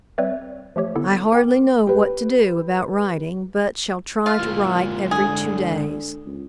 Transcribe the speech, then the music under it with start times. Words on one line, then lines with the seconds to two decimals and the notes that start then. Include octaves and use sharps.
I hardly know what to do about writing, but shall try to write every two days.
0.18 G3 C4 B4 C#5 D5 E5
0.76 F3 A3 G4 C#5
0.96 D3 B3 E4 A4
1.33 A#4 G5 D6
1.87 G4 B4
4.26 F4
4.40 A#2 G#3 E4 G4
5.11 D3 G#4
6.26 C#2